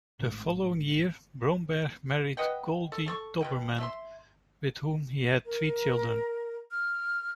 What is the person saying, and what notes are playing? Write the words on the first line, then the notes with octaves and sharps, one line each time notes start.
The following year, Bromberg married Goldie Doberman, with whom he had three children.
A1 G#2
B4 D#5 F#5 G5
A4
A3 A4 C#6
B2 E4 G5
A3 E5 C6
A#4
F6